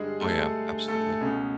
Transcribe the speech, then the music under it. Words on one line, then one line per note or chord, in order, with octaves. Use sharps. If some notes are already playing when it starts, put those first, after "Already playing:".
Oh yeah, absolutely.
Already playing: G2 D3 G3 G#3 G#4
A3 A4
A3 A4
C#2 B2 G#3 C#4